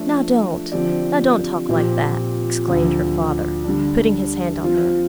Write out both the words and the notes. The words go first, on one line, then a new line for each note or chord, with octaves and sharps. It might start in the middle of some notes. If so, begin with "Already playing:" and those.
'Now don't--now don't talk like that!' exclaimed her father, putting his hand on her.
Already playing: F3 A3 D4
D3 F3 C4 G4 D5
A#2 F3 C4 G4
D2 D3 F3
D3 G3 D4
F3 C4 F4